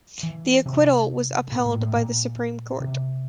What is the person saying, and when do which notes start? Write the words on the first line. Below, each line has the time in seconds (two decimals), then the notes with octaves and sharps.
The acquittal was upheld by the Supreme Court.
0.23 E3
0.66 C3
1.52 A#2
1.66 A2
1.81 A2
1.95 A#2
2.80 C3